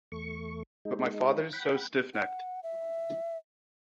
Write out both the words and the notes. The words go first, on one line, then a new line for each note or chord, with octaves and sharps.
But my father’s so stiff-necked.
E2 A3 C#6
G#3 D#4
F#5 G5 B5
F#5
E5